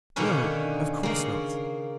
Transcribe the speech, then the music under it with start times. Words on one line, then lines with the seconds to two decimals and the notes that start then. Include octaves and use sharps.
"No, of course not."
0.16 B2 D3 D#3 A#3 C#4 B4
1.03 C#3 A#3